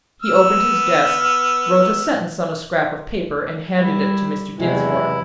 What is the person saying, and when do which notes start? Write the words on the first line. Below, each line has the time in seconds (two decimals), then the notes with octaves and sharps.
He opened his desk, wrote a sentence on a scrap of paper, and handed it to Mr. Dinsmore.
0.22 B3 E6 F6
3.78 G3 E4
4.59 E2 C3 F#3 G#3 E4